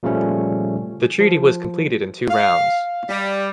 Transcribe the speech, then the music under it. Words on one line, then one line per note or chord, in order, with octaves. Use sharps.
The Treaty was completed in two rounds.
A#2 C#3 F3 G3 A3 C#4
F3
F5
G3